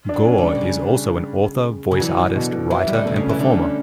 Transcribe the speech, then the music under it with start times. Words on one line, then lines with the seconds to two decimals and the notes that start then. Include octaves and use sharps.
Gorr is also an author, voice artist, writer and performer.
0.09 D4
0.14 F#3
0.25 C#4
0.38 D3
0.43 G3
0.55 B2
0.61 C#3
1.92 C#3
1.95 F#3
2.00 D3 E3
2.18 E3
2.36 B2
2.53 E3
2.70 E3 F#3
2.87 G3
2.93 D3
3.05 B2 A3
3.16 C#3
3.22 C#4
3.29 E3
3.39 D3 D4
3.57 C#4